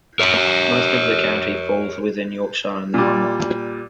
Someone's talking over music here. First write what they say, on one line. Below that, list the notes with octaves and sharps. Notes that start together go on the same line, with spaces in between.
Most of the county falls within Yorkshire and the Humber.
A#4 C#5
A#2 G3